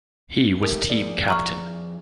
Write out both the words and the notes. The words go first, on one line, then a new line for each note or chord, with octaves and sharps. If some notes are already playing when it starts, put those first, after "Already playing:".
He was team captain.
G#2 A3 G4 A#4
F2 G#4 D5
A#5 C#6 F6